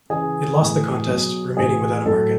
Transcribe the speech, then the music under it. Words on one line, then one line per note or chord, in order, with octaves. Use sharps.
It lost the contest, remaining without a market.
C#3 E3 G#4
A2 E3
B2 F#3
A2 E3 G#4
A2 F#3 A4